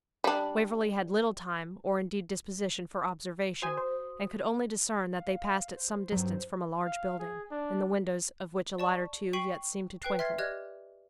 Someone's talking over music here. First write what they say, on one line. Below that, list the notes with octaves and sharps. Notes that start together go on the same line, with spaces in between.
Waverley had little time, or indeed disposition, for observation, and could only discern that they passed at some distance from a large building, in the windows of which a light or two yet seemed to twinkle.
G3 D4
F#4 C5 G#5 D#6
C5
F5
C5
G2 F#3
F5
G#4
D4
D5 A5 C#6
G5 C#6 B6 C7 D#7 F#7
B4 G5 F#6 C7
E5 C6 F6 G#6 A6 C7
G4 D5 D#5 F6 F#6 G#6